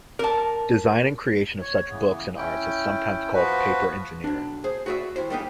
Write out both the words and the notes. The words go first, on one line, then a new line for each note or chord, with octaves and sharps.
Design and creation of such books in arts is sometimes called "paper engineering".
A#4 A5
C#5
C#3 E3 B3
C#4 E4 G5
F3 F#4 B4
B1 D4
G#4 C5
F#4 G#4 B4 D5 E5
D#2 E4 C5
G3 A#3 B3 D#4 G4 G#4